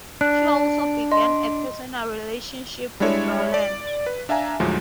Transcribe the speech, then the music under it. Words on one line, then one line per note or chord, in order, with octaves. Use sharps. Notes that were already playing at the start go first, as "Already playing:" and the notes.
She also began a personal relationship with Rowland.
D4 F#6
D#5 C6
G3 G#3 D4 E4 C#5 E5
D5
B4
D4 E5 F5 G#5 A#5
D2 G#2 F3 F#3 G#3